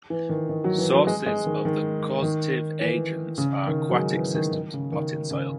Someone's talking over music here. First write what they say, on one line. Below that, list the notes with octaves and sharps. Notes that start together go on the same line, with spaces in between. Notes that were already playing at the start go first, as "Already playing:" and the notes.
Sources of the causative agents are aquatic systems and potting soil.
E3
D#3
D#3
F#3
E3
F#3
G#3
G#3
D#3
D#3
D#3
E3
C#3
D#3
F#3
G#3
E3
D#3
D#3
C#3
D#3
C#3